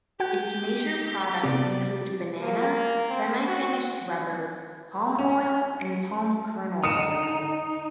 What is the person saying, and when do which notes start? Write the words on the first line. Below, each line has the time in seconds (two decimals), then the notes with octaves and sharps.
Its major products include banana, semi-finished rubber, palm oil and palm kernel oil.
0.20 F#4 G4 F#5 G6
1.43 C3 B3 C4 G4 D5
2.40 A#3
3.10 C4
3.47 F#4
5.19 C#4
6.84 D#4 D#6 C#7 E7